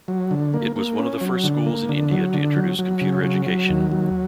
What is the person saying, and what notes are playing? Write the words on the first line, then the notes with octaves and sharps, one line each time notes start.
It was one of the first schools in India to introduce computer education.
F#3
D3
A#3
A#3
C#4
F#3
D3
A#3
D3
F#3
D3
F#3
F#3
C#3
F#3
F#3
D#2
F#3